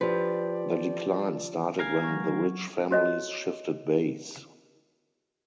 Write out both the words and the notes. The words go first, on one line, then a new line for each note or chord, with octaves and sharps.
The decline started when the rich families shifted base.
F3 G4 B4 D5
A#4 F5 G#5
F#3 C#6
F#4 C#5 D#5